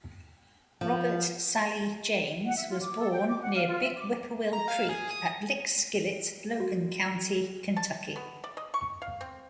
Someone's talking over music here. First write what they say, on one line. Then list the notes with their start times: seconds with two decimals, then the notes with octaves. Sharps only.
Robert Sallee James was born near Big Whippoorwill Creek at Lickskillet, Logan County, Kentucky.
0.81 F3
2.44 F#5
2.56 E5
2.69 F4
2.81 D6
2.97 A4
3.12 G5
3.28 D6
3.41 F#5
3.55 F5
3.68 F4
3.82 E5
3.96 D6
4.53 A#5
4.68 F5
4.89 G#4
5.11 D#6
6.60 F#4
7.76 A5
8.16 B3
8.44 D5
8.57 D#5
8.74 C#6
9.02 F5
9.21 C4